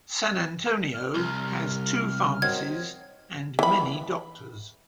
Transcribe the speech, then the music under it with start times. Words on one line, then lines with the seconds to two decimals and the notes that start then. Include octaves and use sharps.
San Antonio has two pharmacies and many doctors.
0.94 F6
1.14 C2
2.42 D#3 F#3 C4 G#6
3.59 E3 B5